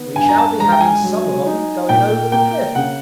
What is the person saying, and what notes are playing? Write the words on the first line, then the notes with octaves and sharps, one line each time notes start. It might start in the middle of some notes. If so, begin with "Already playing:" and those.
We shall be having some of 'em going over the cliff.
Already playing: D#3 B3
G2 G#5
A#5
A5
G#3 A#5
G5
G#5
F#3
D#4
A#2 G5
A#3 G5
C#3 F#5